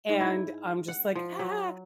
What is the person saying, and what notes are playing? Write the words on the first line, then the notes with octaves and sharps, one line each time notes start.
and I'm just like, "Ah!"
G#2
E4
F#5
F3
F#3